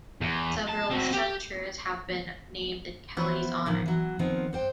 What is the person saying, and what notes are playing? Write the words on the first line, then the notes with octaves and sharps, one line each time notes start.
Several structures have been named in Kelley's honor.
E2
A5
C4 F#4
G4
E3 F3 B3 E4 F4 C5
A2 D3 D#3 F3
E3 F#3
D#3 F3 B3 C4
G2 C5 G5